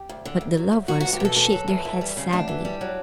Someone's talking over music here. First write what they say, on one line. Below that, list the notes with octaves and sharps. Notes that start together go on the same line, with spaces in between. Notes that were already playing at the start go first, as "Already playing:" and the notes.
But the lovers would shake their heads sadly.
Already playing: G4
D2
D3
D2
F#3
D2
F#3 F#4
F#4
E2
G4
B2 A4
E2 A4
F#3
E2
E3
G3
C#3
D2 D4
E3
G3
F#3